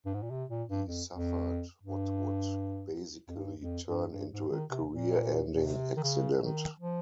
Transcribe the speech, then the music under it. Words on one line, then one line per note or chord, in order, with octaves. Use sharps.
He suffered what would basically turn into a career-ending accident.
G2
G#2
A#2
C3
A#2
G2
F2
F2
G2
F2
G2
F2
G2
G2
G#2
D#3
C3
A#2
A#2
C3
D#3
C#3
D#3
F3